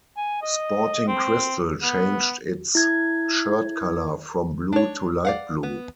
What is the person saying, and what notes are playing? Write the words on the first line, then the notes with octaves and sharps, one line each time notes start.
Sporting Cristal changed its shirt color from blue to light blue.
G#5
D#5
C4
B3
E4 G#6
D4 C#5
D5 F5 F#5
B3